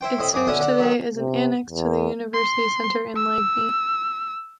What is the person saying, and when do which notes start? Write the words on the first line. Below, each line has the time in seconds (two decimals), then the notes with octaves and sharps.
It serves today as an annex to the university center in Lagny.
0.01 E4 C5 G5
0.19 A2 C4 D#5 B5
0.33 F#2 G#4 G#5 D6
0.47 B1 D3 C#4 E5 F#5 D#6
0.60 D3 F#5
0.79 D#3 F#3
1.15 C3
1.70 E2
2.34 C6
3.16 E6